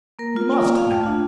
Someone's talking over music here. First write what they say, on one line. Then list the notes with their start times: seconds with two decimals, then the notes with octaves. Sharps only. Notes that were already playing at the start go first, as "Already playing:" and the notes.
You must, now!
0.19 A#3 A#4
0.36 F4
0.52 A#3 D5
0.69 F4
0.77 F5
0.86 A3 G5
1.03 D4 F4